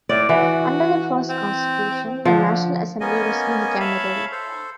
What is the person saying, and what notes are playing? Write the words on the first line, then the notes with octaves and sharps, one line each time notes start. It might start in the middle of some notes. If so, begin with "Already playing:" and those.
Under the first constitution, the National Assembly was unicameral.
A2 D5
E3 F#4
C4
D3 F3
A#3 B3 C#4 D#5 G#5
C#5 E5 F5 A5 B5
A4 C5